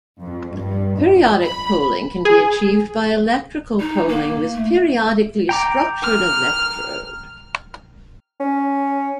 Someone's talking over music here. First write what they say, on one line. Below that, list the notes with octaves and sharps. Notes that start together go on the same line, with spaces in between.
Periodic poling can be achieved by electrical poling with periodically structured electrode.
F2
G2
F2
B5
G#4
D#4
A#3
A3
G5 A#5 D6
F6
C#4